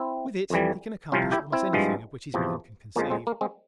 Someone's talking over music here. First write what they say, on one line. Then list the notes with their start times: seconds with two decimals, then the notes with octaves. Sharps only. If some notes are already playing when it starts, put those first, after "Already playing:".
With it he can accomplish almost anything of which his mind can conceive.
Already playing: C4 E4
0.50 F2 E3 G3
1.12 C2 C3 F3 C#4 F4
1.32 E4 G4
1.52 C4 E4
1.73 G2 F3 G#3
2.34 E2 C3 F3
2.96 F2 C#3 F3 G#3 A#3 C#4
3.10 G#3 C4
3.27 A#3
3.41 G#3 C4